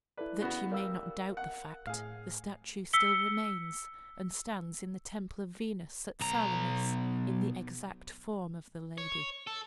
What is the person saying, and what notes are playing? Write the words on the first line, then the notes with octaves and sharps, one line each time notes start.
That you may not doubt the fact, the statue still remains, and stands in the temple of Venus at Salamis, in the exact form of the lady.
E4 A4 B4 D5
C#3 B3 F#4
G3 A#4 F5 E6
F#5
A2 G#4 F5
E6 B6 C#7 G7
B1 A#5
C#5
A4